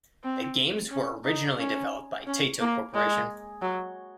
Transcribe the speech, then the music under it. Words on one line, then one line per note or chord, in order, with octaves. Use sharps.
The games were originally developed by Taito Corporation.
C4
C#4
D#4
C#4
C#4
A#3
G#3
F#3